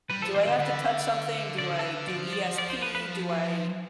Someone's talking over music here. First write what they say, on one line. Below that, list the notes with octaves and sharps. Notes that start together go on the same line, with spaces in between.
"Do I have to touch something? Do I do ESP? Do I
G3 B4
F3 A4
E3 C5
D5
D3 C5
D3 B4
D3 D5
A4
B4
F3 D5
D5
D5
C5
B4
B4